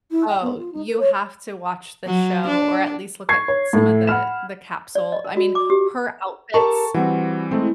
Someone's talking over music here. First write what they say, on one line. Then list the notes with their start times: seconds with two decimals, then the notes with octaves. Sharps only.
Oh, you have to watch the show, or at least look at some of the the capsule. I mean, her outfits
0.11 E4
0.28 G5
0.41 B3
0.58 F4
0.72 D#4
0.87 A#4
0.99 C#5
2.07 F#3
2.47 D4
3.29 C#6 G#6 C7
3.48 C#5
3.73 A2 A3
4.07 F#5 B5 F6 E7
4.95 D5
5.12 D#5
5.25 A#4
5.37 F#4
5.55 D6
5.70 G4
6.54 G4 A4 A#4 A5 C#6
6.94 E3 G3 C4 F#4
7.51 E3 G#3 A3 C4